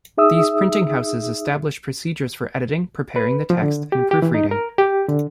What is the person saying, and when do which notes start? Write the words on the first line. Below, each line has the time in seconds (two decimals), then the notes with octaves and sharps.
These printing houses established procedures for editing, preparing the text, and proofreading.
0.18 D#4 G#4 E5 D#6 E6
3.16 B4
3.50 F3
3.62 D3
3.92 G4
4.11 G4
4.22 E3
4.34 D#4
4.51 A#4
4.78 G4
5.08 D3